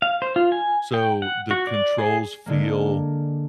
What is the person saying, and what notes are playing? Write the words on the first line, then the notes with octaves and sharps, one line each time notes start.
so the controls feel
F5
C5
F4
G#5
G5
F#5
F#4
D5
G#4
D3 G#3 A#3